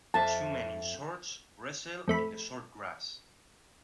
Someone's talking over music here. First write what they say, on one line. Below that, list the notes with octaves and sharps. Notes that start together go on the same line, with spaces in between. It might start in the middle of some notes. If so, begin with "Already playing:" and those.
Two men in shorts wrestle in the short grass.
F2 E5 A5
F2 A3 B5